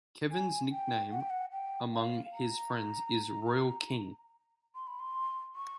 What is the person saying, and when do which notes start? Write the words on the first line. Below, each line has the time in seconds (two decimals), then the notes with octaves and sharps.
Kevin's nickname among his friends is "King Royal".
0.31 G#5
0.72 G5
1.12 F#5
1.21 G5
1.30 F#5
1.52 G5
1.93 F5
2.33 A#5
4.75 C6
4.87 B5
4.99 C6
5.55 C#6